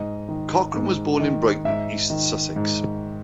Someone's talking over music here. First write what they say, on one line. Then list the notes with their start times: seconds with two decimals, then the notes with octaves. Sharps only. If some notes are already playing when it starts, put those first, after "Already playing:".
Cochrane was born in Brighton, East Sussex.
Already playing: G#2 D#5
0.29 D#3
0.74 G#2
1.20 D#3
1.65 G#2 E5
2.10 D#3
2.56 G#2